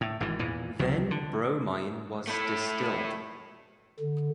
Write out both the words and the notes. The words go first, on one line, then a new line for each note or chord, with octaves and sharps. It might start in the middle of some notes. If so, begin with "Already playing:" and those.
Then bromine was distilled.
A2
G#1 G#2 E3
E2 A#2 E3
C#2 C3 F#3
D3
A3 E4
D3